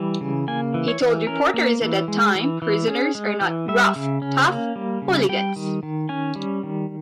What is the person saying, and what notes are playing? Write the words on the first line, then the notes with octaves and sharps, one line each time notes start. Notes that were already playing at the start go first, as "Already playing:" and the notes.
He told reporters at the time, Prisoners are not rough, tough hooligans.
Already playing: E3 G3
C#3
A#3 G#5
E3
C#5
E3
C#4 A#4
A#3
E3
G#3
E3
E3
C#4 G#4
G#3
E3
G3 E5
C#3
C#4
A#3
G3
C#3
G3 G5
D#3
D#3
C#4 G#5
G3
D#3